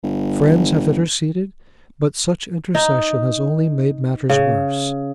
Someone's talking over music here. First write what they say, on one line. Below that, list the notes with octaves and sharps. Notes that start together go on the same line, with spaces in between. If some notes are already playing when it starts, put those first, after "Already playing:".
Friends have interceded, but such intercession has only made matters worse.
G1
D#4
C#3